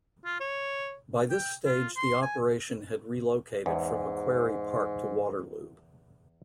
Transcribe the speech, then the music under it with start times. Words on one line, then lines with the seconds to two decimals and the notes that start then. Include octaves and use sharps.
By this stage the operation had relocated from Macquarie Park to Waterloo.
0.25 F4
0.41 C#5
1.31 G5
1.65 F4
1.97 C6
2.23 G#5
3.66 E2 G#2